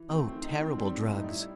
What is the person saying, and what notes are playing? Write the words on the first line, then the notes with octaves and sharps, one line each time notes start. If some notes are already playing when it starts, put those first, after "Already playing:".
"Oh! terrible drugs."
Already playing: E3
A3 C4
D#3 C4
D#4
D#3 C4
G3 C4
C4
A2
D#4
G3
E4